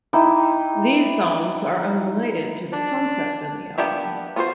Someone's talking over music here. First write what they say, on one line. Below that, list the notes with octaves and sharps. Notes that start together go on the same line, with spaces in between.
These songs are unrelated to the concept of the album.
D#4 E4 G5 D6
D4
A#3 B3 D4 G4 E5
B3 F4 F#4 B4 C5